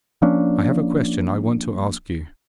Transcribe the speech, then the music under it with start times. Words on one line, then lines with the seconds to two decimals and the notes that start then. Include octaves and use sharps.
'I have a question I want to ask you.'
0.22 F3 A#3 C#4 D4